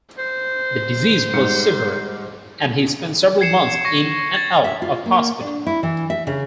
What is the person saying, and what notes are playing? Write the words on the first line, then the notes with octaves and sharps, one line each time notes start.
The disease was severe and he spent several months in and out of hospital.
C5
G#2 G3 C#7
G#6 C7 C#7 E7
C#6 A#6
G#6 A6
E5
F4
A#3
D4
E4
E3
E5
C#3